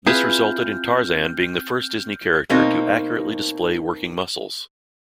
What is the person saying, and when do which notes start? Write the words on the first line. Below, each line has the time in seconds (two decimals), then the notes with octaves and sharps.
This resulted in Tarzan being the first Disney character to accurately display working muscles.
0.07 C4 E4 F4 G#4 B4 F6 G6
2.49 B2 A#3 C4 D#4